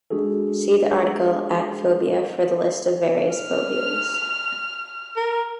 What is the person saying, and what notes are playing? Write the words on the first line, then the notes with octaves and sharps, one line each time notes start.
See the article at -phobia for the list of various phobias.
G#3 D4 F#4 G#4 A4
F6
A#4